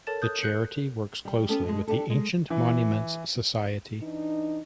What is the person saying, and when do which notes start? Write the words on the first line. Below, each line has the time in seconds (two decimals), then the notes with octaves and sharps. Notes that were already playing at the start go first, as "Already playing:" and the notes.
The charity works closely with the Ancient Monuments Society.
0.07 A4 A#4 C#5 A5 A6 E7
0.22 A5 D#6 F#6 G6
0.41 F#6 G6 C7 C#7 F#7
1.25 G3
1.49 B3 C#4 G4 A4
1.64 B2 G#3
1.87 D4 D#4 G4 A4
2.10 G#3
2.50 E3
4.01 E3 D4 D#4